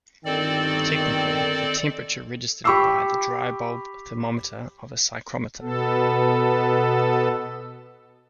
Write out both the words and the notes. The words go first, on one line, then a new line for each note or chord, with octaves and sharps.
Technically, the temperature registered by the dry-bulb thermometer of a psychrometer.
G1 D#3 C4 A4 D5
G4 B5 C#6 D6 E6 C7
B2 B3 A4